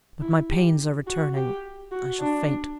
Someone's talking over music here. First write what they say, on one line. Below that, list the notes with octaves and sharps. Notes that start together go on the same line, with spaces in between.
But my pains are returning, I shall faint.
E4
G4
F#4
G4
F#4
D4